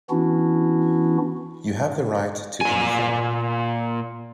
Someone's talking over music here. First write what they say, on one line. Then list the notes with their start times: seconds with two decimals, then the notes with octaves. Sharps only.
You have the right to anything.
0.10 E3 B3 C#4 D4 E4 F#4
2.61 A#2 G#5